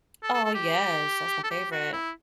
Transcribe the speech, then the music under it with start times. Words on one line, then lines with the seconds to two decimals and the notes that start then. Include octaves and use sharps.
Oh, yes. That's my favorite.
0.23 A4
0.34 A4
0.45 A4
0.55 G4
1.43 A4
1.51 G4
1.72 F#4
1.93 E4